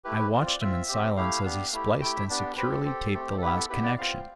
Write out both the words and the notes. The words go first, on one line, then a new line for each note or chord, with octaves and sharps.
I watched him in silence as he spliced and securely taped the last connection.
A3 E4 G4 B4
B4
C4 F4
D5
C4 F4 E5
C4 G4
A3 E4 G4 F5
B3 D4 G4
A3 E4 G4
A3 E4 G4 G5
E5
B3 D4 G4
C4 G4 B4
A4
C4 G4
A3 C4 G4
A4
B3 E4 G4 B4
A4
B3 E4 G4 B4
D5
C4 F4 F5